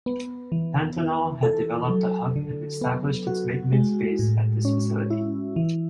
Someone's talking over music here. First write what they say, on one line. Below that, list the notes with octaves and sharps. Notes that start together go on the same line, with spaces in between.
Pantanal had developed a hub and established its maintenance base at this facility.
B3
E3
E4
A4
F#3
D3
B3
F#4
G#3
A2
C#4
E4
E3